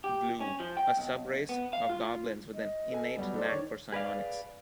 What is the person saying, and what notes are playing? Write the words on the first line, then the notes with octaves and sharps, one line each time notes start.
Blue: A subrace of goblins with an innate knack for psionics.
G4
C#4
F3
G5
B1
B3
F5
F4
D#5
A4 G#5
F#3 G3 B3
D#4 A4 C5 D5
D#3 D4 C#5
G#4 B4 D5 F5